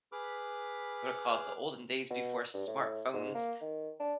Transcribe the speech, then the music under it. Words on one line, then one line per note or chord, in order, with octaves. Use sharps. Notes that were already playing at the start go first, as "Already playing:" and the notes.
was gonna call it the olden days before smartphones,
G#4 B4 B5 D6 F6
B2
G2
A2
G#2
A#3
D#3
D4